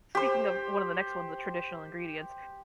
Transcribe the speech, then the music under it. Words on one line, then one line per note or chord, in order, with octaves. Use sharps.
speaking of one of the next ones, the traditional ingredients.
G4 C5